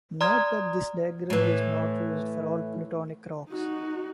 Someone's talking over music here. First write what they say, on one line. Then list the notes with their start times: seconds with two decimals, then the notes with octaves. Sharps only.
Note that this diagram is not used for all plutonic rocks.
0.21 D5 A#5 C6 D#6 F6 G#6
1.30 A2 E3
3.50 D#4 F#4